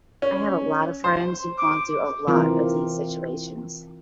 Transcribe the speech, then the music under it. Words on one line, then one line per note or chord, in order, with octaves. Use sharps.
I have a lot of friends who've gone through a lot of these situations.
C#4
C5
D6
E3 C4 F4 A#4